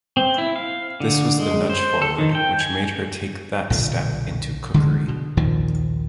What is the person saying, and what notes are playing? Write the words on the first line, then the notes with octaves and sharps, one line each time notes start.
This was the nudge forward which made her take that step into cookery.
C4
E4
F5
D3
G#3
C5
A4
D#3
G5
G#5
B1 A#2 D3
D3 E3 G#3
B2
A#1 D#2 D#3 F3